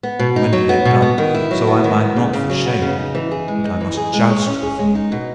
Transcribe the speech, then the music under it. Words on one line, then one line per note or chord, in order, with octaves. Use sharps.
And when he had done so I might not for shame but I must joust with him.
B3
B2
D#4
F#3
B3
B2
B3
D#3
E4
F#3
B3
D#3
B3
C#3
C#3
F#3
B3
C#3
D#4
E3
G#4
G#3
D#4
E3
G#4
G#3
C#5
C#4
G#4
G#3
D#4
B2